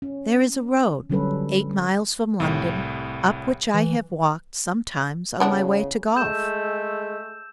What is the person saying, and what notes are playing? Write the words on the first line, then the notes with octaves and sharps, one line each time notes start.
There is a road eight miles from London up which I have walked sometimes on my way to golf.
C#4
D3 F#3 G3 C#4 A4 B4
C2 A2
E3
C#3 E3 B3 D4
G#3 A3 E6 G6 E7